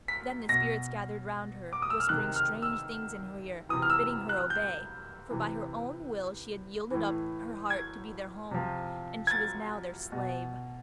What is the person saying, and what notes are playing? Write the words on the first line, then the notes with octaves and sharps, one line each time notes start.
Then the spirits gathered round her, whispering strange things in her ear, bidding her obey, for by her own will she had yielded up her heart to be their home, and she was now their slave.
B6
B2 A#6
D6
D#6
E6
F6
C3 D#3 F#6
F6
E6
C3 E3 D#6
F6
E6
F#6
G6
C3 E3
A2 E3
G#6
C3 F3
G#6
A6
B2